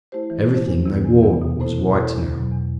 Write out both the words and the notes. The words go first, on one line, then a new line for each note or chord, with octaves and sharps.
Everything they wore was white now.
A3 E4 G4 C5
E3
A3 E4 G4 C5
E2
C3 E3 B3 D4
E2
C3 E3 B3 D4
B2
A3 E4 A4 C5
B2
A3 E4 A4 C5
E2
B2
F#3
E2